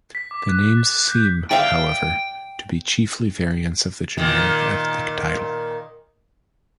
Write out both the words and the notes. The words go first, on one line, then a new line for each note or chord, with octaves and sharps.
The names seem, however, to be chiefly variants of the general ethnic title.
B6
D6
F#6
A6
G6
D5 E5 F5 G5
A#2 D#3